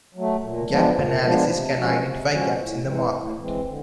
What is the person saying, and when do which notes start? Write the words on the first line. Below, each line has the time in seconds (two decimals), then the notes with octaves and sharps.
Gap analysis can identify gaps in the market.
0.14 F#3 A3
0.41 A#2
0.68 F3 G#3 B3 D4
0.95 A#2
1.22 F3 G#3 B3 D4
1.49 C3
1.76 F3 G#3 C#4 F#4
2.03 C3
2.30 F3 G#3 C#4 F#4
2.58 A2
2.85 E3 G#3 C4
3.11 A2
3.38 E3 G#3 C4
3.66 D3